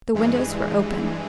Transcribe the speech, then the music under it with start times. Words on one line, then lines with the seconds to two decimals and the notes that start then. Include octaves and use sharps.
The windows were open.
0.15 G2 E3 G#3